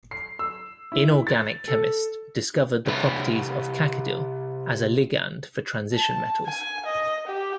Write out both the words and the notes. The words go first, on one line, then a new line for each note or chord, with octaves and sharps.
Inorganic chemists discovered the properties of cacodyl as a ligand for transition metals.
C7
E6
E4
A6
A4
C3 G3 B4 E5
A5
G#5
D#5
G4